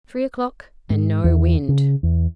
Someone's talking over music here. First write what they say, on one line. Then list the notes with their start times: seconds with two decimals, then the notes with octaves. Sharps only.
Three o'clock and no wind.
0.90 G#2
1.24 E2
1.68 C#3
2.03 E2